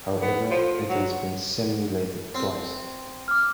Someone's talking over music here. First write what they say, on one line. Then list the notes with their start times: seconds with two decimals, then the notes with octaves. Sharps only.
However, it has been simulated twice.
0.22 B3
0.51 F3
0.89 F#3
2.35 C4
3.28 D6 F6